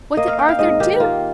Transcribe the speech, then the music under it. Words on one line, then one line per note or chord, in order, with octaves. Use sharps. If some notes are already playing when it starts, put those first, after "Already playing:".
What did Arthur do?
A#3 D#5
F5
D#4 G5
F5
G#2 D#5
D#3 G4
A#3 F4